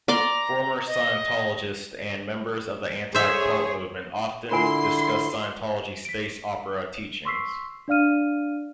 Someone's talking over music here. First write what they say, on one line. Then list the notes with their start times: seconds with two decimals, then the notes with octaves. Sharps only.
Former Scientologists and members of the anti-cult movement often discuss Scientology's space opera teachings.
0.08 D5 A#5 C6 D6
0.87 D#5
3.14 G#4 C5 C#5 E5
4.51 D3 E4 F4 A#4 G#5 C6
6.05 B6 D7
7.25 C6 C#6 E6 B6 C7
7.88 D4 D5 F5 F6 D#7